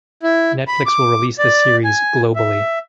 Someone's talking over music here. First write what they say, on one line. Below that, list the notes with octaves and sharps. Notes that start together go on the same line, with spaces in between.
Netflix will release the series globally.
E4
B5
D6
D5
G#5
E5